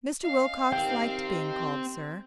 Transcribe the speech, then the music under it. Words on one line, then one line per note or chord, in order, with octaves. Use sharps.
Mr. Wilcox liked being called sir.
C#4 D#5 F5 C7
D#3 C4 G4 G5